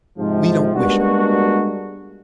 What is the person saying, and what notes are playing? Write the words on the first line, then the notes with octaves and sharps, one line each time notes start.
We don't wish it.
G#2 C3 F3
G3 G#3 A#3 B3 D4 F#4